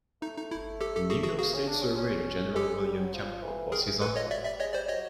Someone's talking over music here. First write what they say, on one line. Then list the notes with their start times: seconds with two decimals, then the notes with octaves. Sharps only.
New York State Surveyor General William Campbell was his uncle.
0.22 A3 D#4
0.37 D#4
0.51 E4
0.81 G4 A4
0.96 G4 A4
1.10 F#4 G#4
1.24 F#4 G#4
1.38 A#3 F#4 G#4
1.54 C#4
1.68 D4
1.82 C#4
1.97 C#4
2.55 G#3 G4 A4
2.70 G#3
2.85 G3
3.00 F#3
3.14 F3
3.43 E3
3.72 D#3 G#4 A#4
3.87 E3
4.02 E3 A4 B4
4.16 F3 C#5 D#5
4.30 F#3 D5 E5
4.45 G3 D5 E5
4.60 G#3 C#5 D#5
4.74 G3 C5 D5
4.88 F#3 C#5 D#5